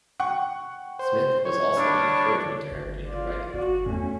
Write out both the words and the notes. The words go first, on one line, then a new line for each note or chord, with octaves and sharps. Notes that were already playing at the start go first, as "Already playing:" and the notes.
Smith was also an encouragement to her in her writing.
F#5 G5 C#6
C5
C#5
G2 D4
G1
F4 D5
G1 F#4
E2 A3 C#4